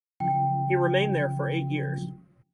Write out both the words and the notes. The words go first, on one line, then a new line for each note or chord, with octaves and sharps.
He remained there for eight years.
C#3 F3 G5